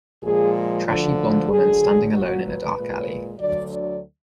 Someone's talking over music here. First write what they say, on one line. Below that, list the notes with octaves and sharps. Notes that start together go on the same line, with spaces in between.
Trashy blond woman standing alone in a dark alley.
A#2 F3 G#3 G#4
D2 D3 F3
D2 D3 F#3 G#4
A#2 F#3 F#4
B4
A#2 G#3
D2 D3 F#3 D5
D5